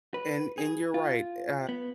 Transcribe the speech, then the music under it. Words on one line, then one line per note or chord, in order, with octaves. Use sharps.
and and you're right, eh, uh,
B4
G#4
F4
B3